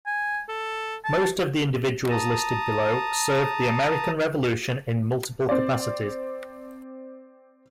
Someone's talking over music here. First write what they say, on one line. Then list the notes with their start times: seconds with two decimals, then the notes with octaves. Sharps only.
Most of the individuals listed below served the American Revolution in multiple capacities.
0.06 G#5
0.49 A4
1.04 A5
2.11 A5 A#5 D#6
5.49 C4 D5